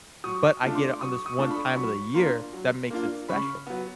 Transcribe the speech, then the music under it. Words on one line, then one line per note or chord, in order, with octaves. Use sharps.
but I get it on this one time of the year, that makes it special.
F#3 C#6 D#6
A3 D4 F4
C6 D6
F#3 C#6 D#6
C#6 D#6
A3 D4 F4
B5 C#6
F#3 B5 C#6
A#3 D4 F4 A#5 C6
F#3
A#3 D4 F4
C#3 B5 C#6
F#3 B3